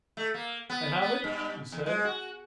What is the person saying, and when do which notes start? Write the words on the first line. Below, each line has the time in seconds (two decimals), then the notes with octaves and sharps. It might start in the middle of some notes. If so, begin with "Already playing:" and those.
"I have it!" he said.
0.17 A3
0.34 A#3
0.70 B3
1.02 B3
1.24 G2
1.72 E2
1.86 G#3
2.05 F#4